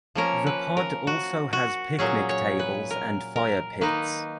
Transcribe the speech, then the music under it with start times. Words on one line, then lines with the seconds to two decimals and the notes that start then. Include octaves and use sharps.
The pod also has picnic tables and fire pits.
0.15 F3 A#3 C#4 A#4
0.47 B4
0.77 A#4
1.07 F#4
1.53 F#4
1.99 A#2 F#3 C#4 G#4
2.29 C#5
2.59 B4
2.90 A#4
3.36 A#4
3.81 D#3 A#3 D#4 B4